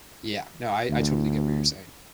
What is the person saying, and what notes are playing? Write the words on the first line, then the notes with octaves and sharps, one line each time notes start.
Yeah, no, I I totally get what you're saying.
D2